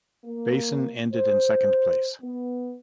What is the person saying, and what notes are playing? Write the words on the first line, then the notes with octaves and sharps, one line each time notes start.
Beysen ended in second place.
A#3
C5
B3